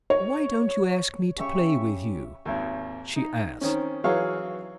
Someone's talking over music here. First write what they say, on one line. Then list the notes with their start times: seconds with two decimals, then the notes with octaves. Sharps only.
"Why don't you ask me to play with you?" she asked.
0.10 C#5
1.37 C#3 G4 E5 C#6
2.45 G#1 D#2
3.16 D#4
3.61 D#3 C4 C#4
4.04 E3 F#3 G#4 C#5 F5 C#6